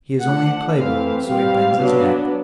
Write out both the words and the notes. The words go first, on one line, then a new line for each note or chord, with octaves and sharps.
He is only a clay-born; so he bends his neck.
F3 A3 D4 F#5
E3 A3 C4 F5
G3 C4 F5
F#3 B3 D4